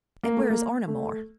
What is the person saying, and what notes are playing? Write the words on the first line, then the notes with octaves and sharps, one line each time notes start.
"And where is Oranmore?"
A#3
A3
A#3
A3